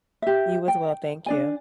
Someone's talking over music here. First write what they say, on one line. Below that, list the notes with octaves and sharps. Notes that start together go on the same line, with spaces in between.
You as well, thank you.
G4 E5
G5
D4 D5 G#5